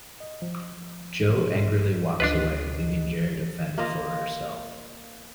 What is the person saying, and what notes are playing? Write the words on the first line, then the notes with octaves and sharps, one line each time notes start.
Joe angrily walks away, leaving Gerry to fend for herself.
D#5
F3
F3
D2 D4 F4 B4 D#5
A#3 F4 D#5